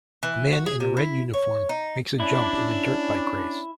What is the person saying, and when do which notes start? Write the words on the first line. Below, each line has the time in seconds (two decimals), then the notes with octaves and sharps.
A man in a red uniform makes a jump in a dirt bike race.
0.23 E3
0.52 F#4
0.66 G#4
0.80 C3
0.97 E4
1.34 C#5
1.69 D#4
2.20 C#4 D4 E4